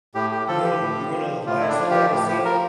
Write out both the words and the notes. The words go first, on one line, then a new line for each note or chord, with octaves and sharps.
you know when you wanna know the last play I seen?
A2 G4
G4
F3 A4
G4
A2
F3
A2 F4
E4
D4
F3
G4
A2 G4
G4
F3 A#4